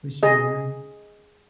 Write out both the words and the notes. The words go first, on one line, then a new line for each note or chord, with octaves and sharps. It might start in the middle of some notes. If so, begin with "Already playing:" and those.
For sure.
G#4 D#5